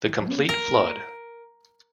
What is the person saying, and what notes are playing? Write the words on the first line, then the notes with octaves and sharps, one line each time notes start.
The complete Flood!
D#3
F3
C#4
A#3
A#3 A#4
A#3